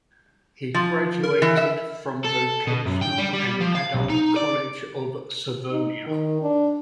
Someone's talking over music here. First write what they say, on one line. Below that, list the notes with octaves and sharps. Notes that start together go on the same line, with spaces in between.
He graduated from Vocational and Adult College of Savonia.
F3
A#4
E3
E5
A4
B2
F#2
G5
G3
G3
F3
F5
B1
D#4
D5
D#4
D#3
D4